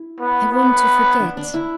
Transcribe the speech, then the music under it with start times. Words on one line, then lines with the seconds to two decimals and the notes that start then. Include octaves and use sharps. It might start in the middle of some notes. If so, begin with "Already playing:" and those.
I want to forget.'
Already playing: E4
0.20 B3
0.53 B3
1.20 D4
1.37 D4
1.54 E4